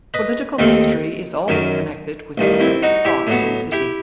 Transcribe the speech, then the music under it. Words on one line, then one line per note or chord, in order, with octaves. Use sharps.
Political history is always connected with specific spots in city.
B4 D#5
D#2 D#3 A3 C4
F#2 D#3 F#3
A1 G2 D#3
C4 E4
D#4 F#4
E4 G4
A2 F#3 B3
E4 G4